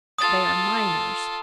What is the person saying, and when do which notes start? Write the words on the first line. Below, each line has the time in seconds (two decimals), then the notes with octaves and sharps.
They are miners.
0.18 F4 A4 D#6 A6